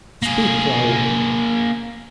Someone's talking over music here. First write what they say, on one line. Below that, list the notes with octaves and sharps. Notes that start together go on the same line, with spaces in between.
"Speak, Raoul."
A#3 G#4